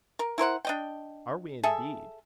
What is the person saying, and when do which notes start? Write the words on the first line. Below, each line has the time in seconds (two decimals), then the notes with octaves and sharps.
"Are we, indeed?"
0.19 A#4
0.38 E4 A#4 C5 F#5
0.65 D4 D#5 G5
1.63 G#4 A4 E5